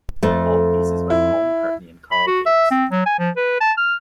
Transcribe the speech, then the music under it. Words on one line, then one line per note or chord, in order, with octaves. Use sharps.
All pieces by Paul McCartney and Carl Davis.
F2 A3
E4
B5
F#4
E5
C4
F#3
G#5
F3
B4
A5
F6